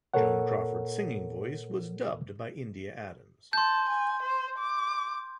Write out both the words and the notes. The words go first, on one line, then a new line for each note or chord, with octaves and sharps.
Joan Crawford's singing voice was dubbed by India Adams.
A#2 A4 A#4 C#5 F#5
A5 C6 G6
G#5
C5
D6